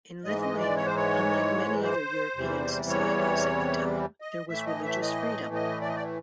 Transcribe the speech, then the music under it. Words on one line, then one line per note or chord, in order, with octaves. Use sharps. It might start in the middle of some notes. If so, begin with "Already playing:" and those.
In Lithuania, unlike many other European societies at the time, there was religious freedom.
G#2 E3 G#3 D#5
D#5
D5
C#5
C5
C#5
C5
E2 C3 E3 G3
C#5
D#5
A2 E3 A3 E5
D#5
E5
D#5
D#5
D5
D#5
D5